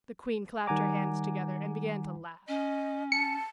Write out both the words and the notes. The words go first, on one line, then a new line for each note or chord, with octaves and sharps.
The queen clapped her hands together, and began to laugh.
D#3 G3 F#5 G#5 A#5 D6
C#4 D#5
A5 C#7